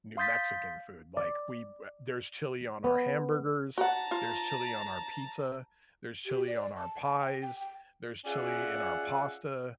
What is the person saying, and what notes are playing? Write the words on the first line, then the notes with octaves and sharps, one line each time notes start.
New Mexican food. Like, we w there's chili on our hamburgers, there's chili on our pizza, there's chili on our pies, there's chili in our pasta,
F5 C6 D#6 G6 A6 B6
D5
B3
F#4 F#5 A5 A#5
F4
G4
D5
A5
A5
G5
G5
G5
C#4 F4 G#4 D5 E5 F#5